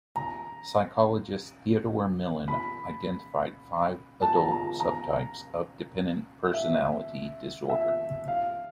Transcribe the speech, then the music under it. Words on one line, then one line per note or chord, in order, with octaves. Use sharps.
Psychologist Theodore Millon identified five adult subtypes of dependent personality disorder.
A#5
B5
A5
A#5
A#5
A#5
E5
E5
F5